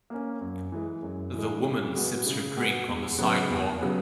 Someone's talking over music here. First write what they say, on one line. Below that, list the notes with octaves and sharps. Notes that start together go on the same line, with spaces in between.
The woman sips her drink on the sidewalk.
A#3 C#4
F#2
E3 G#3
F#2
E3 G#3
C#3
G#3 B3 F#4
C#3
G#3 B3 F#4
E2
C#3 F#3 B3
E2
C#3 F#3 B3